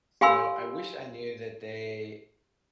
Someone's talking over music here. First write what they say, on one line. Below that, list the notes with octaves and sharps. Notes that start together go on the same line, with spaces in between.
So, I wish I knew that they
G4 F5 G#5 B5 C6 E6